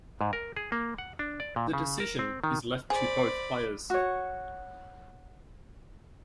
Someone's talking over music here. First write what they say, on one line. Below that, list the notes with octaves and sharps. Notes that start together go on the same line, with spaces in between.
The decision is left to both players.
G#2
A#4
G#4
A#3
F#5
D4
D5
A#2
C#3
A#4
C4
D#3
G#4 C5 D5 B5
F#4 C#5